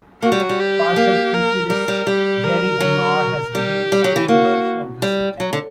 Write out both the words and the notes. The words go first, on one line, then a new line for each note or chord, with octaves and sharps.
Partial preterist Gary DeMar has debated Rosenberg on this subject.
A#3 F#4
G3
F#3
G3
G4
A#3
A#4
G3 A#4
G3
G3 G4
A#4
F#3
G3 G4
G3
F#3
E3
A#3 F#4
G3
F#3
D3